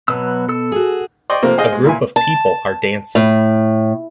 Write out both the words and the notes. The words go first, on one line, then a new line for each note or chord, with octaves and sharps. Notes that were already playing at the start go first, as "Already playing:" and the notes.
A group of people are dancing.
B2 F#3 B4 E6
A4 E6
F#4 G#4
D5 D#5 G5 C6 C#6
C3 F3 A3 A#3 C4
G#4 C5 D#5 F5
G#3
A#2 E4 G#5
A5
A2